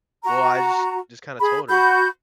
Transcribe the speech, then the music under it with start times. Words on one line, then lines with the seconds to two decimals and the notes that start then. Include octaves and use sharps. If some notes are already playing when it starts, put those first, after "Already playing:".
Well, I just just kinda told her
0.23 F#4 A#5
1.41 G#4 B5
1.69 F#4 B5 G6